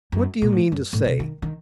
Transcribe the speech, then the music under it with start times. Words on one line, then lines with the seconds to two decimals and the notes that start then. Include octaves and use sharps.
"What do you mean to say?"
0.12 F#2
0.42 A#2
0.52 A2
0.72 F#2
0.93 A2
1.06 C3
1.20 D#3
1.42 D#3